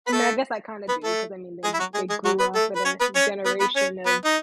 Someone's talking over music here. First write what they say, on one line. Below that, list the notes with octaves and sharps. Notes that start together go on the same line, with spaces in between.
I mean, I guess I kinda do, 'cause I mean they they grew up in a generation of
B4
A3 A4
B3 B4
A3 A4
G#3 G#4
E4
F#3 F#4
G#3 G#4
G#3 G#4
F#3 F#4
B3 B4
A3 A4
B4
C#4 C#5
B3 B4
C#4 C#5
B3 B4
B3 B4
C#4 C#5
B3 B4
D#4